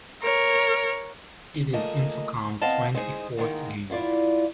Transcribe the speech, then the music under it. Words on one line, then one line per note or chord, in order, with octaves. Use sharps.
It is Infocom's twenty-fourth game.
A#4 C#5
F3 A3 A#3 G#4 D#5 A5
B3 C4 D#5 F5 A5
G#3 D#4 G#4 C5
G#2 D#3 G#3 A#3
E2 E4 F4 D5